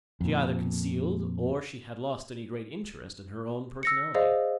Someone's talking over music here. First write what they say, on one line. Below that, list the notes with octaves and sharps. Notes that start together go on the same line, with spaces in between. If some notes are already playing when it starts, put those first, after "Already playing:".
She either concealed or she had lost any great interest in her own personality.
F2 A#2
E6 A#6 C#7
G#4 C5 D5 D#5 F5